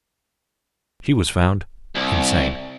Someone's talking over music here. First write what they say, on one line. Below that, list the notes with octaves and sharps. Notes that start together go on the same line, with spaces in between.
She was found insane.
C2